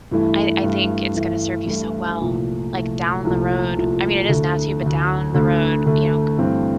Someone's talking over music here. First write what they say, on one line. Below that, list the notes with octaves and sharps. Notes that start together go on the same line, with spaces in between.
I I think it's gonna serve you so well, like, down the road, I mean it is now, too, but down the road, you know, g
G2 E3 A3 E4
G2 E3 A3 E4
G2 E3 A3 E4
G2 E3 A3 E4
C2 A#2 F3 A3
C2 A#2 F3 A3
C2 A#2 F3 A3
C2 A#2 F3 A3
D2 D3 A3
D2 D3 A3
D2 D3 A3
D2 D3 A3
G2 E3 A3 C4